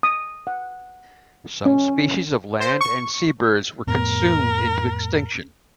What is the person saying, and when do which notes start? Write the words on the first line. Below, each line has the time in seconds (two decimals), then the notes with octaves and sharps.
Some species of land and sea birds were consumed into extinction.
0.03 D#6
0.47 F#5
1.66 C#4
2.60 C5
2.81 C#6
3.87 F2 A2 B3 A#4